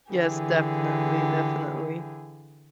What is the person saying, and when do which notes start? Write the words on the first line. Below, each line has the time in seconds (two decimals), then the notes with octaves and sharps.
Yes, definitely, definitely.
0.12 D3 E3 G4 G#4